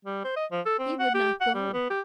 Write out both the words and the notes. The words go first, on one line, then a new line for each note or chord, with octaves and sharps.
He would not go.
G3
C5
D#5
F3
A4
C4
F#5
G4
F#5
G3
B3
G4